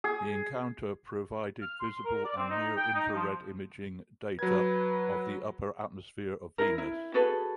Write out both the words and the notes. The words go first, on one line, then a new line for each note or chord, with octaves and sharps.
The encounter provided visible and near-infrared imaging data of the upper atmosphere of Venus.
G#4
F6
C6
A#4
D5
C4
D#4
G5
D#4
F3
F#3 B4 G#6
E4 A#4
E4
F#4 G#4 A4 B4